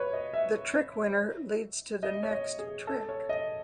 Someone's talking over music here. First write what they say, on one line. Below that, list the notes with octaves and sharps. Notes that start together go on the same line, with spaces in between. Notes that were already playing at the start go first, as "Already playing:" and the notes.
The trick winner leads to the next trick.
Already playing: B4 C#5
D#5
E5
D#5
C#5
D#5
G#4
A4
C#5
D#5